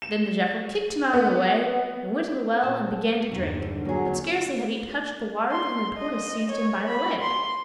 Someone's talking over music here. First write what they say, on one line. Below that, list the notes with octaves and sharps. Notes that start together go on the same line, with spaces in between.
Then the jackal kicked him out of the way, and went to the well and began to drink, but scarcely had he touched the water, than the tortoise seized him by the leg.
E7
B3
A#2 C#4 A5
E2 G2 D3 D#3
F#3 A#3 G#4
C6
D#5
C#5
B5
C6